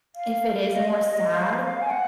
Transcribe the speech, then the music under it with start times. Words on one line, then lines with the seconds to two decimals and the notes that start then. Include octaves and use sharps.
if it is more sad,
0.16 F5
0.73 D#5
1.32 F5
1.81 G#5
1.90 F#5